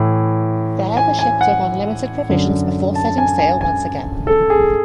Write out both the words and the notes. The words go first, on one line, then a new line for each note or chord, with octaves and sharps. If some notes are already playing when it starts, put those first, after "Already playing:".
There the ship took on limited provisions before setting sail once again.
Already playing: A2 E3
G#5
G#5
F#5
F#2 D3
A5
G#5
G#5
G#5
A4
G#4